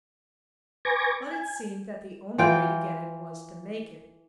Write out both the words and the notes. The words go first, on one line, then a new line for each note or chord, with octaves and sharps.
But it seemed that the only way to get it was to make it.
B4 G#5 C#6 D6 G#6 A#6
G#5
E3 F4 G5